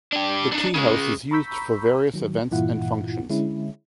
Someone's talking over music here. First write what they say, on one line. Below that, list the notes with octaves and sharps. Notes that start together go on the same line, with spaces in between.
The teahouse is used for various events and functions.
D4 G4
D4 D#4
C#3 G#3
A#5 B5 C#6 E6 G6 B6
D#3 F#3
G2 A#2 E3 E4 F4 F#5
D3 G#3 C#4 E4